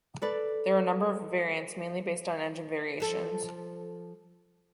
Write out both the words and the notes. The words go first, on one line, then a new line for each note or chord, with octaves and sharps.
There were a number of variants mainly based on engine variations.
A4 B4 D5
F3 A4